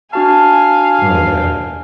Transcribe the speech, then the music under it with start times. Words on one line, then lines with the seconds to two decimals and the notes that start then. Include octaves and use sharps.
Oh, yeah.
0.13 D4 F#4 F5 G#5 A5